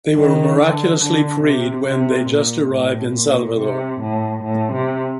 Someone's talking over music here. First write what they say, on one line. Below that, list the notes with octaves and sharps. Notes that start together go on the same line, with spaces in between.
They were miraculously freed when they just arrived in Salvador.
D#3
D3
D3
C3
C3
A#2
A2
A#2
C3
A2
A2
C3